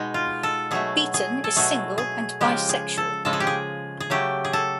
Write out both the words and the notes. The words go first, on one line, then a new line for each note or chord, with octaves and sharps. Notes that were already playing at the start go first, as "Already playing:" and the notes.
Beaton is single and bisexual.
Already playing: B2 G#3 D#4
F4
A4
B2 F#3 A3 G#4
G#4
A4
B2 F#3 A3 G#4
G#4
C#3 F3 G#3 G4
G#4
A4
C#3 F3 G#3 A4
G#4
G4
G#4
G#4
C#3 F#3 A3 G4
G#4
A4